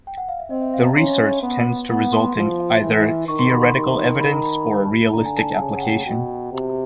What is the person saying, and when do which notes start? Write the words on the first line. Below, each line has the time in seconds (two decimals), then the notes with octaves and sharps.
The research tends to result in either theoretical evidence or a realistic application.
0.07 G5
0.18 F#5
0.29 F5
0.39 E5
0.50 C4 D#5
0.62 E5
0.74 F5
0.85 A#5
0.97 C#4 C6
1.43 B3
1.89 B3 F#5
2.12 C6
2.36 F3
2.81 E3
3.28 D#3 C#6
3.39 C6
3.50 B5
3.61 C6
3.75 D#3
4.21 B5
4.32 A#5
4.43 B5
5.13 D3 A#5
5.25 G#5
5.37 A5
5.60 C#3 G#5
5.77 F#5
5.83 G5
6.06 B2 G5
6.52 C3